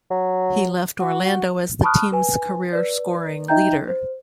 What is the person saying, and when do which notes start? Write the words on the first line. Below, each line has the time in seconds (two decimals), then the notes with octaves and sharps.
He left Orlando as the team's career scoring leader.
0.11 F#3
1.00 F#4
1.83 A5 B5 C#6 D#6 F6 F#6
2.12 B4 G#5
2.73 B4 D5
3.48 D#4 D#5 E5 G5 A#5 G6
3.88 C5